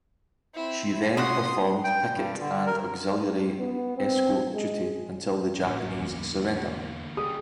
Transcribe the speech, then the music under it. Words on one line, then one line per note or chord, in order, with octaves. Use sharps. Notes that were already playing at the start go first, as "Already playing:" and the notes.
She then performed picket and auxiliary escort duty until the Japanese surrender.
C4 E4
C#3 F#4 F#5 C6 D#6
G5
G2
D3
A#4
B3
C4
G#3
A1 D3 A#3
E2
C#3 G3 G4 G#4 D#6